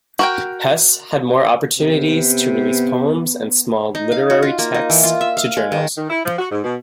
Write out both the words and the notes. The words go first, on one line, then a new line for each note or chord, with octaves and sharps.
Hesse had more opportunities to release poems and small literary texts to journals.
F#4 A#4 G5
C3 B3
D#4
F5
F#4
F4
A#3
D#4
E3
F4
E5
F5
G#3
D#3
D#3
E4
F3
F#4
G#2
B2